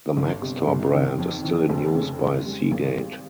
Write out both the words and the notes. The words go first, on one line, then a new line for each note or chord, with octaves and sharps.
The Maxtor brand is still in use by Seagate.
G1
C3
G1
D#3
F2
D#3
F1
C#3
G#2
G3
G#1
G3